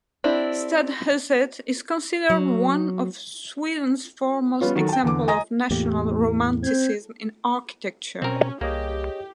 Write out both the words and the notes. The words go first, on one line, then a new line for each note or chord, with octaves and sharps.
Stadshuset is considered one of Sweden's foremost examples of national romanticism in architecture.
C4 D4 E4 G4
F#3
G3 B3 C#4 F4
D#3 F#3 F#4 A4
G5 A5
E2 D3 D6
D#5 G#5 A#5 D#6 A#6
E2 A2 A#3 G4
C4 G6 G#6
B2 C4 C#4 A#4
C2 A#3 G4 G#4 C#5 D#5